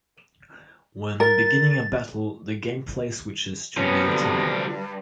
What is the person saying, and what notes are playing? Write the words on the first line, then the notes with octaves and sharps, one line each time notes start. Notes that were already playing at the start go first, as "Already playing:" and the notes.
When beginning a battle the gameplay switches to real time.
A#4 A6
C3 F3 B3 C#4 B4
G2 D3 F#3